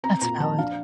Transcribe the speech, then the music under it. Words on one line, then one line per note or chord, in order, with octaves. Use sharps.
That's valid.
C4 A#5
A#2 A#5
F3 A5
D4 F5